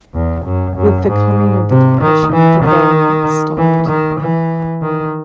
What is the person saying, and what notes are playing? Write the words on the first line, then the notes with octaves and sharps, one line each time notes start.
With the coming of the Depression, development stopped.
E2
F#2
F#2
G#2
C3
D#3
E3
D#3
E3
D#3
E3
D#3